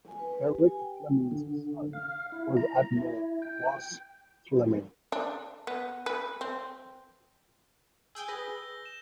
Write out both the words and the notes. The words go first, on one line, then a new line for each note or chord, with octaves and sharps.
Erik Fleming's son was Admiral Klaus Fleming.
G#5
B4
B4
G4
G#5
G5
D3
F5
E4
A#5
E4
G5
D4
B3
B4
C4
G#4 G5 G#5 E6 G6 G7
G#4 B4 A#6 G7
E7